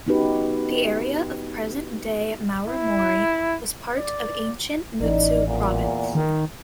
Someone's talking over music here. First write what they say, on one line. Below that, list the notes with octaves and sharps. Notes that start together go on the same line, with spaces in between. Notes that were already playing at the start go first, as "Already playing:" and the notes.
The area of present-day Marumori was part of ancient Mutsu Province.
B3 C#4 D#4 F#4 G4 B4
E4
D5
A1 D#4 D5
E2 A#2
D#3